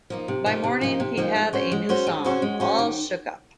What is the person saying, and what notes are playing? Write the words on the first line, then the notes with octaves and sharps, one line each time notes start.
By morning, he had a new song, 'All Shook Up'.
F3 A#3 D#4
C3
F3 A#3 D#4
C3
F3 A#3 D#4
C3
F3 A#3 D#4
G#3
C#4 F#4 C5
G#3
C#4 F#4 C5
G#3
C#4 F#4 C5
G#3
C#4 F#4 C5
D#3